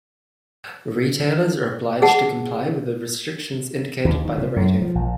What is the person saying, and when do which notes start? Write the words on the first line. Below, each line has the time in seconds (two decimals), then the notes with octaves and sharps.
Retailers are obliged to comply with the restrictions indicated by the rating.
2.02 G#4 F#5 A5
4.05 D#2
4.25 D#3
4.38 C3
4.56 F#2
4.82 F3
4.95 A#1